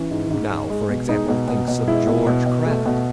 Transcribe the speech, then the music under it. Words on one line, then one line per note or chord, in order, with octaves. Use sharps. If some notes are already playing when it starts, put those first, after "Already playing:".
Who now, for example, thinks of George Crabbe?
Already playing: E3 C#4
G#2
G#2
G#2
G#3
B2
G#3 D#4
B2
B2
B2
G#3 E4
B2
B2
B2
A3
B2